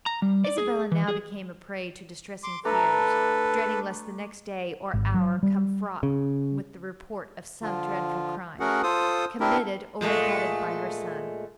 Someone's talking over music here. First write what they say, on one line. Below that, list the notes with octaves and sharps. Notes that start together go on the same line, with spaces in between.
Isabella now became a prey to distressing fears, dreading lest the next day or hour come fraught with the report of some dreadful crime, committed or abetted by her son.
A#5
G3
D5
G#4
E3
G#4
C6 D6
A3 D4 A4 B4 A#5
G#1
F#3
G3
C#3
D3 F3 F4
A3 C#4 F#4 G#4 A#4 F#5
F4 A4 C5 D#6
C4 D4 E4 G4 A#4
A#2 G#3 A3